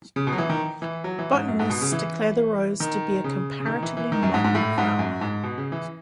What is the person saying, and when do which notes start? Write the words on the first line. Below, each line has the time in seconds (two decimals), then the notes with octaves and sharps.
Botanists declare the rose to be a comparatively modern flower.
0.16 C#3
0.27 B2
0.32 F#3
0.38 E3
0.50 D#3
0.82 E3
1.04 F#3
1.19 E3
1.33 G#2
1.48 F#2
1.59 G#2
1.70 B2
1.81 C#3
1.92 E3
2.80 D#3
3.24 C#3
3.60 C#3
3.67 D#3
3.82 E3
3.97 E3
4.12 D#3
4.23 F#2
4.34 G#2
4.44 G#2
4.55 A2
4.78 G#2
4.99 F#2
5.21 G#2
5.43 B2
5.58 C#3
5.72 E3